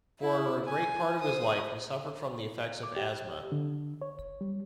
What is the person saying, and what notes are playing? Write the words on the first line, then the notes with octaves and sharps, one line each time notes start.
For a great part of his life, he suffered from the effects of asthma.
E4
G#5
C5 D#6
D6
G4
D3
C#5
G3